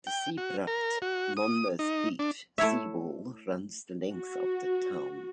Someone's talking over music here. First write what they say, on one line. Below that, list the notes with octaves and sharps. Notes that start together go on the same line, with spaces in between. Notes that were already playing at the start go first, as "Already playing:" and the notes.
The Sea Bright-Monmouth Beach Seawall runs the length of the town.
G5
F#4
A#4
F#4
D#6
D#4
D4
A3 E4 C#5 E5
F#4